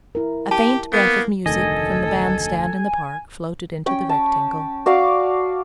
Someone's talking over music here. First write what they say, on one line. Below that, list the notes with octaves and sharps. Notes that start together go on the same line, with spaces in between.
A faint breath of music from the band-stand in the park floated into the Rectangle.
E4 A#4
G4 A5
A#3 B3
F1 D2 D#3 A4 D#5 G#5
C#4 G5
A5
F#4 D5 F5 D6